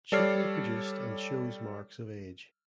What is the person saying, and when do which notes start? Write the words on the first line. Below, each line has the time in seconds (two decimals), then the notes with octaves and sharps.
Cheaply produced and shows marks of age.
0.12 G3 A4 C#5 D5 F6 C7